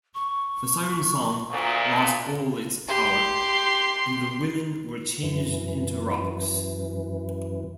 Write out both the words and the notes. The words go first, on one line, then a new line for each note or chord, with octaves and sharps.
The Sirens' song lost all its power, and the women were changed into rocks.
C#6
D2 A#2
G4 C6
F#2 E3